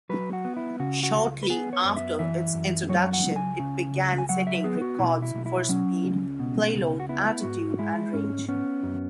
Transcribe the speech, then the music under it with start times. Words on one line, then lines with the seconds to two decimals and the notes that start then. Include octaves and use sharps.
Shortly after its introduction, it began setting records for speed, payload, altitude and range.
0.09 F#3 B4
0.33 F#4
0.45 B3
0.57 E4
0.80 C#3 F#4
1.03 F#4
1.14 C#2
1.43 B4
1.49 B3 G#4
1.73 C#5
1.85 F#2
1.96 E5
2.19 E3 E5
2.54 F#2
2.89 F#3 C#5
3.13 F#5
3.25 C#2
3.36 G#5
3.60 C#3
3.94 C#2
4.18 G#5
4.29 F#3 F#5
4.47 E5
4.64 B3 G#4
4.81 F#4
4.99 B2 E4
5.22 E4
5.34 B1
5.46 E4
5.69 F#3 C#4
6.04 C#2
6.39 B2
6.74 C#2
7.00 F#4
7.09 B3 E4
7.43 G#2 F#4
7.79 G#3 E4
8.13 G#2 C#4
8.48 B3 C#4
8.83 F#2